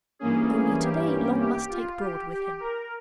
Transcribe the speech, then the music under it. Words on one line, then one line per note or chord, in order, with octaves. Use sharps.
Only to-day, Long must take Broad with him.
G2 E3 A#3 C#4 G#4
G#4
G4
G4
G4
F4
G4
G4
A#4